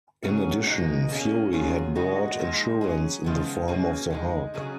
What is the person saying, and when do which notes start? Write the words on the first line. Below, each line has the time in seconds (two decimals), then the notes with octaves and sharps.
In addition, Fury had brought insurance in the form of the Hulk.
0.23 C#3 F#3 C#4 G#4
0.66 B2 G#3 D#4
1.09 B2 A#3 C#4 G#4
1.53 F#3 C#4 F4 G#4
1.95 C#3 G#3 D#4 F#4
2.39 A#2 F3 G#3 D#4
2.81 F#3 C#4 G#4
3.24 C#3 F3 G#3 B3
3.68 B2 A#3 C#4 G#4
4.10 G#3 D#4 G#4
4.54 C#3 F#3 C#4 G#4